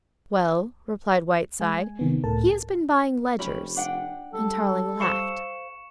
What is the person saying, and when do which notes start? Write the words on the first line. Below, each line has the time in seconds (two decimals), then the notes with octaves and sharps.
"Well," replied Whiteside, "he has been buying ledgers," and Tarling laughed.
1.60 G#3 G#5
1.99 C3 D#3 B3
2.24 C#2 A2 A4 A#4 A5
3.39 F1 C#4 G4 B5
3.76 D4 F#5 G5
4.34 G3 A4
5.00 C5 F5 C#6 C#7 E7